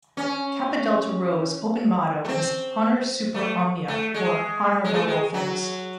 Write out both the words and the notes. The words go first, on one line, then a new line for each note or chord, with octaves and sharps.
Kappa Delta Rho's open motto is "Honor Super Omnia", or "Honor Above All Things".
C#4
A3
C4
A3
A3
G#3
G#3
A3
G#3
F#3